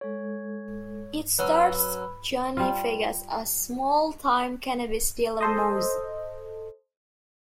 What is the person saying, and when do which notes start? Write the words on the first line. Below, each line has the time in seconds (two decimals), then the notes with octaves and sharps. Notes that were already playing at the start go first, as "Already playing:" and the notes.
It stars Johnny Vegas as small-time cannabis dealer Moz.
0.01 G#3 A4 C#5
1.39 F#3 C#4 B4 B5 E6
2.57 G3 F4
5.41 A4 C5 D#5